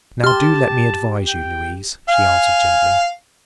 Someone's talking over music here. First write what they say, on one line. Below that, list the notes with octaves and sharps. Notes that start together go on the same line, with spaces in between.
'Now do let me advise you, Louise,' she answered gently.
G4 A5 C6 F6
G5
F5 G#5